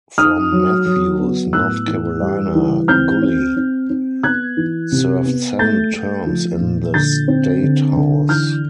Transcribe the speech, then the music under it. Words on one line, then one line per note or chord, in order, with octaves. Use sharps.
From Matthews, North Carolina, Gulley served seven terms in the state House.
D#4 D#6 F6
F#3
F#3
B3
A2 E6 F#6
E3
G3
E3
C4 F6 G6
C4
C4
C4
B3 F#6 G#6
E3
C3
B3
A3 G6 A6
A3
F3
A#2
D3 G6 A6
C4
D3
D3
E3 F6 G6